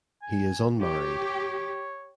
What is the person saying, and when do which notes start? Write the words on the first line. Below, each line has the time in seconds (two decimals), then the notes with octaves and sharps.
He is unmarried.
0.22 G#5
0.81 G4 C#5